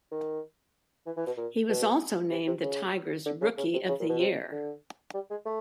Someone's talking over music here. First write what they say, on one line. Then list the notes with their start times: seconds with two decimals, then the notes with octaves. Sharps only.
He was also named the Tigers Rookie of The Year.
0.11 D#3
1.06 E3
1.17 E3
1.27 B2
1.37 A#2
1.69 B2
2.31 C3
2.47 C3
2.62 C#3
3.26 D3
3.41 C#3
3.58 C#3
3.73 C3
3.88 C#3
4.00 A#2
4.09 B2
4.19 C3
4.52 D3
5.14 G3
5.30 G#3
5.46 A3